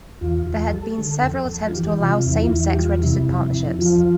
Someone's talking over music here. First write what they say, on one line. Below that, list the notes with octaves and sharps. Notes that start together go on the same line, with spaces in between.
There had been several attempts to allow same-sex registered partnerships.
E2 F4
E2 F4
G3 A4
D3
F2
F2
F4
E3 G4
C3 F4
E2 E4
F4
E2 E4
G4
G3 F4
C3 E4
F2
F2
F3 F4